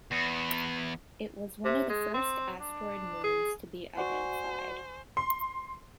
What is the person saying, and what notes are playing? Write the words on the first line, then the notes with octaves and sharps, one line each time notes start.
It was one of the first asteroid moons to be identified.
E2
C3
G#3
C4
D4
G#4
F#4 C5 D5 F#5 G#5 C#6
C6